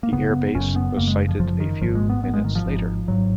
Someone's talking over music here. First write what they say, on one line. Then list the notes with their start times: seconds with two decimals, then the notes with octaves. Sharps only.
The air base was sighted a few minutes later.
0.03 A#3
0.12 F#1 F#2 C#3 B3
0.54 F#1 F#2 C#3 C#4
0.76 B3
0.97 F#1 F#2 C#3 A#3
1.07 G#3
1.29 F3
1.39 F#1 F#2 C#3 F3
1.60 D#3
1.81 G#1 G#2 F3
1.95 G#3
2.10 B3
2.23 G#1 G#2 B3
2.34 G#3
2.45 D#3
2.55 F3
2.66 G#1 G#2
3.07 G#1 G#2 F#3